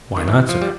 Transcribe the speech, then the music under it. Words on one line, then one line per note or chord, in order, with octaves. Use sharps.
"Why not, sir?"
D#3
E3
F3
G3